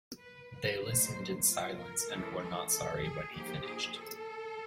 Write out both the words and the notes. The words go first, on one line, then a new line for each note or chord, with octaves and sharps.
They listened in silence, and were not sorry when he finished.
B4
B4
A2 F#3 A#3 D#4 C5
F4
A#4
E3 G#3 C#4 A4
A4
A4
G#4
F3 A#3 D#4 G4
G#4
A4